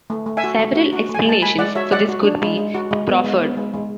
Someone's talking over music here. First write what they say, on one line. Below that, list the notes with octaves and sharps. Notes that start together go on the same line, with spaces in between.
Several explanations for this could be proffered.
A3
A3
E5 G#5
F#4
A3
F#4
F#4
A3
G#5
G#3 A5
G#3 G#5 B5
G#3 D5 F#5
F#4 C#5 E5
G#3 D5 F#5
F#4
D4
G#3
G#3
F#4
G#3
B3
G#3
B3
G#3
G#3